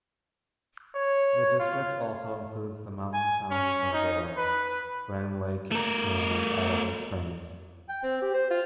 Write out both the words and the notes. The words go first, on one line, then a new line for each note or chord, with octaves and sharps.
The district also includes the mountain towns of Vail, Grand Lake and Idaho Springs.
C#5
F4
G#5
C#4
D#4
B4
A3 A#4
G5
C4
G4
C5
F4